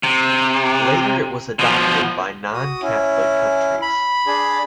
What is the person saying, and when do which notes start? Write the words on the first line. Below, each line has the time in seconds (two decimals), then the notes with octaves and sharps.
Later, it was adopted by non-Catholic countries.
0.03 C3
1.59 B2 F3
2.54 F#4 D#6
2.82 C#4 E4
3.82 B5
4.27 D4 G#4